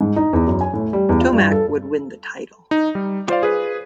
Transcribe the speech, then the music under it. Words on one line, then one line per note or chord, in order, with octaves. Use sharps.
Tomac would win the title.
G#2
D#4
E2
F#2
G#5
A2
G3
E2
F4
G2
A4
D#4
G3
F4 C5 D5 F5
G#4 B4